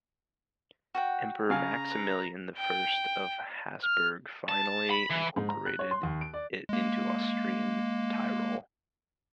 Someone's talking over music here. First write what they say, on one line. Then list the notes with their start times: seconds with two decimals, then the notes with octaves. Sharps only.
Emperor Maximilian the First of Habsburg finally incorporated it into Austrian Tyrol.
0.95 F#4 F#5 G5
1.50 C#3 F5 G#5 A#5
1.91 B4
2.57 G5
3.84 F6
4.49 A5
4.90 B5
5.11 E3
5.36 G#2
5.49 A#5
5.66 F#6
5.79 C#5
5.91 C6
6.03 D#2
6.21 D7
6.34 D5
6.69 G#3 A#3